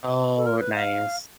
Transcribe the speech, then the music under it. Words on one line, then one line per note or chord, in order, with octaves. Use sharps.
Oh, nice.
A4
A#4
B4
F5